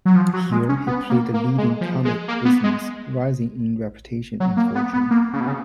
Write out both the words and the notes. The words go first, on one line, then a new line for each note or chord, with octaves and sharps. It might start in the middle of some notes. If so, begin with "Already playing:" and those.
Here he played the leading comic business, rising in reputation and fortune.
F#3
F3
F#3
G#3
C#4
B3
A#3
A#3
G#3
F3
G#3
A#3
B3
G#3
F#3
A#3
B3
B3
A#3
C#3
B2
C#3